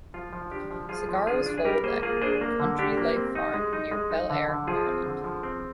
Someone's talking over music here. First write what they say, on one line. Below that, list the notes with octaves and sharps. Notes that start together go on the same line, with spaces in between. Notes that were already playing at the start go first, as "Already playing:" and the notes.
Cigar was foaled at Country Life Farm near Bel Air, Maryland.
F3 F4
F3
D4 G4
F3
F3 F4 G#4
F3
D4 F4 G#4
D4
G#4
G3 G4 A#4
A#3 G#4 C5
A#3 F4 G#4
D4 G#4 C5
A#3
D3
D4 G4
A#3
C4
D#4
G#3
D#4
G#3
D#4
D3
D3
F3 F4 G#4
C4
D3
F3
C4